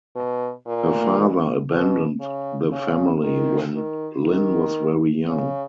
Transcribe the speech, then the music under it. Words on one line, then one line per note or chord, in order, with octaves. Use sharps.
Her father abandoned the family when Linn was very young.
B2
A#2
B2
C#3
C#3
D#3
D#3
D#3
C#3